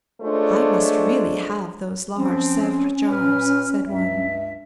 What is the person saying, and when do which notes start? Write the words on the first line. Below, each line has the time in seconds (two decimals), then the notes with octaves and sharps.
"I must really have those large Sevres jars," said one.
0.22 G#3 A3 D4 F4 C5 C#5
2.16 F3 C4 C#4
3.10 A#2 B4 F6
3.87 C#2 G2 E5